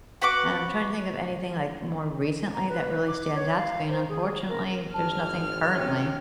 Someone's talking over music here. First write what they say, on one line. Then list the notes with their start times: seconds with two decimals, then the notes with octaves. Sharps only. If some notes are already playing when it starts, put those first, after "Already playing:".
and I'm trying to think of anything like more recently that really stands out to me and unfortunately, there's nothing currently
0.22 F#4 B4 F#5 D6
2.54 A#5
2.69 B4
3.07 D6
3.35 C#5
3.57 F5
3.89 C5
4.09 G#4
4.48 A#4
4.94 G#1 A5 F6
5.34 A4
5.72 C#4 G4